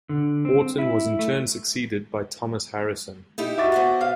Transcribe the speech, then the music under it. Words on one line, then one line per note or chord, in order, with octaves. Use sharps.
Wharton was in turn succeeded by Thomas Harrison.
D3
C4
E4
A3
D#4 E4 G4
F#4 E5 D6 A6
B3 C5 F#5
F5